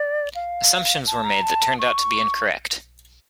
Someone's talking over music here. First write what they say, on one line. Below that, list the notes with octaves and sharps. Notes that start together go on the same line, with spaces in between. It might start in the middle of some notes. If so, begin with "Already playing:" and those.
Assumptions were made that turned out to be incorrect.
Already playing: D5
F5
A5
A#5
A5
C#6